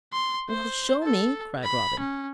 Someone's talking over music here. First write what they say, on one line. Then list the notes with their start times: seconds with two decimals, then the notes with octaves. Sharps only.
"Well, show me," cried Robin.
0.13 C6
0.50 C5
1.03 A4
1.63 B5
1.99 C#4